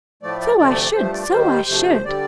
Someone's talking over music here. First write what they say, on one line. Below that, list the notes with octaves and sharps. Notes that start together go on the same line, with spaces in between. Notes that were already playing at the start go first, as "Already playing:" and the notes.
So I should! so I should!
A2 F3 A3 D5
D5
D2 C3 F3 A3 D5
G2 F3 A3 C5
D5
D#2 D#3 G3 C5
D2 C3 F3 A3
C5
D3 G3 D5